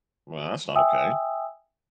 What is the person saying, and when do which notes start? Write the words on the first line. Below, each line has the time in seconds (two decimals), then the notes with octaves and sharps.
Well, that's not okay.
0.75 E5 G5 G#5 D#6 E6